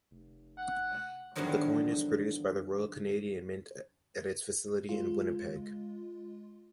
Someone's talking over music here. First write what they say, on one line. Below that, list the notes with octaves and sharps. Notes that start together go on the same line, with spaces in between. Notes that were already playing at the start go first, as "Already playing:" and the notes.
The coin is produced by the Royal Canadian Mint at its facility in Winnipeg.
F1
F#5
E2 G2 D3 D#3 F3 F#3
G#3 F4